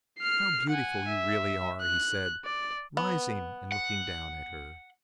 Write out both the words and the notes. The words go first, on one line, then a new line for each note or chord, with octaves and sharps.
"How beautiful you really are!" he said, rising and looking down at her.
F6 C7
F#5 G#5
E5
F#6
D5
B3
F#5